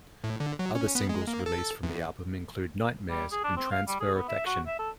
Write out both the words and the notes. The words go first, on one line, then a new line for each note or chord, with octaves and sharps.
Other singles released from the album include "Nightmares" and "Transfer Affection".
A2
D3
F#3
C#4
B3
G#3
A#3
A4
E2
G3
G#4
D4
C4
F5
G3
G#4
B3
E5
F#4
E5
A4